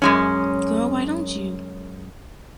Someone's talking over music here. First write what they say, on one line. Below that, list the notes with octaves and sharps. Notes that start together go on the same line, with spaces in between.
Girl Why Don't You?
F#2 G#3 C#4